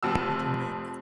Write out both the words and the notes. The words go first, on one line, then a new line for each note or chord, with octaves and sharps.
Peter Meienberg.
F1 F2 E6